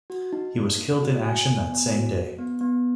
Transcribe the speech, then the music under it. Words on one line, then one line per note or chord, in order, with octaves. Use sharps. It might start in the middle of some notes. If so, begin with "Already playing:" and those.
He was killed in action that same day.
F#4
D#4
A#3
A#3
F#4
D#4 G#5
B3
B3
F#4
D#4
B3
B3